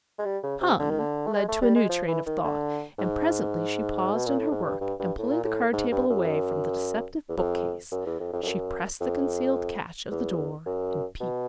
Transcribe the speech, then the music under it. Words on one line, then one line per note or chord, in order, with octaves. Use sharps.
"Tongue" led to a new train of thought, and presently she paused in her work, and pulling the card-table away from the deceptive book-case, she pressed the concealed catch of the door, and peeped in.
G#3
G3
C#3
C3
D3
D#3
D3
A3
G#3
A3
G3
G#3
F3
E3
D#3
D3
G#2
B2
A#2
A2
G#2
G2
G2
G2
A2
A#2
A2
G#2
G2
F#2
F2
F#2
E2
F2
F#2
E2
F2
F2
F2
F#2
F2
E2
F#2
B2